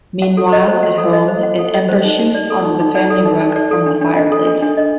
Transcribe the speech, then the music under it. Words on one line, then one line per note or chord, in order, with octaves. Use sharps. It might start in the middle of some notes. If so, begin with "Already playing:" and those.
Meanwhile, at home, an ember shoots onto the family rug from the fireplace.
F#5
A4
D#5
C5
F#5
A4
D#5
C5
F#5
A4
D#5
C5
D#4
D#4
D5
A4
D#4
D#4
D5
A4
D#4
D#4
D5
A4
D4
D4
D#5
A4
D4
D4
D#5